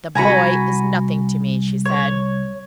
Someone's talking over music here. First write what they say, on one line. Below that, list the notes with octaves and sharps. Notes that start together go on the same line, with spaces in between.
"The boy is nothing to me," she said.
C2 F#4 G#5 A#5 B5
C#5